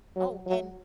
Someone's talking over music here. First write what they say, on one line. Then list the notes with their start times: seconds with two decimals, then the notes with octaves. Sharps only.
Oh, and
0.16 F#3
0.46 F#3